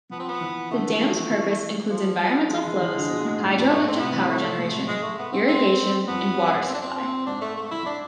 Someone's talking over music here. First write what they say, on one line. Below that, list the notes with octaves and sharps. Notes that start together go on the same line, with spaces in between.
The dam's purpose includes environmental flows, hydro-electric power generation, irrigation, and water supply.
F3 B3
C4
B3
E3
D3 A3
E3
F3
F3
E3
F3
F3 G#3
E3
E3
D3
B2
A2
G#2
F2
G#2 A3
A2 C4
C3 B3
E3
A3
C3
A2
G#2
G#3
A3
B3
C4
C4
F2 B3
C4
D4
C4
C4
G#2 D4
A3
A3
E4
D4